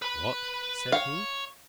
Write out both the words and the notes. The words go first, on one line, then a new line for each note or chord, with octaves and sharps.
"What?" said he.
B4 B5
C#5 F5